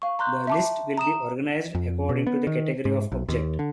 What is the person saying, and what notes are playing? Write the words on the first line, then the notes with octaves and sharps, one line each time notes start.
This list will be organized according to the category of object.
F5 C#6
A#5 C6 F#6 G6
E5 A5 D6
A#5 D#6 E7
F2
B2
B3
D#3
G#2
B1
D#2
D3